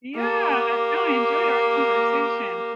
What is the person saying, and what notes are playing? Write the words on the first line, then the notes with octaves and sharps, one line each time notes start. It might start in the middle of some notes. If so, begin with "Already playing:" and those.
Yeah, no, I enjoyed our conversation.
A#3 G4